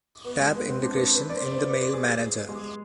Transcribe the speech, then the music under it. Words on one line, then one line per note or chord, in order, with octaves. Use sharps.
Tab Integration in the mail manager.
B3
G#3
B3
C4
D4
C4
B4
D5
C5
C5
D5
B4
C5
G#4
G#4
G#3